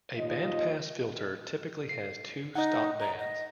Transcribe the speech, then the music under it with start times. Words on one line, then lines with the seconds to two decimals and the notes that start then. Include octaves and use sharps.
A bandpass filter typically has two stopbands.
0.18 D#2 A#2 F4 D#5
1.89 C7
2.55 D#4 D#5 F#5
3.00 A#5
3.19 D#5